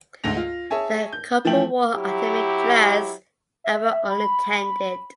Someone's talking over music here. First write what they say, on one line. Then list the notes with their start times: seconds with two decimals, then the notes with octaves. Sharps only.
The couple wore academic dress and were unattended.
0.24 D2 G#2 A#6 F7
0.37 F4
0.70 G#4 C#5 E5 G#5 A5
1.13 G6
1.45 E3 F3 A3 G5 F#7
1.94 F#3 E4 G4
3.64 E5
4.09 B5